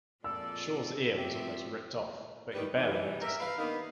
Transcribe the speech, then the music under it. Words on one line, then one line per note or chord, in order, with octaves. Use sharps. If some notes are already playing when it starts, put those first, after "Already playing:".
Shore's ear was almost ripped off but he barely noticed it.
A#2 F3 G#3 C4 A4 D5 E6
F3 C4 F#4 G4 E5
D#3 G3 B3 G4 B4
E3 G3 G#3 D#4
G4 A#4 E5
B4 F5
D#3 A#3 B3 D4 D#4